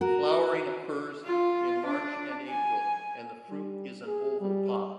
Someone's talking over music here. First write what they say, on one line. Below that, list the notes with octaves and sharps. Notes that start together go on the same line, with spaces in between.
Flowering occurs in March and October and the fruit is an oval pod.
F#4 A#4
F4
D4
G#5
G3
G#4
G3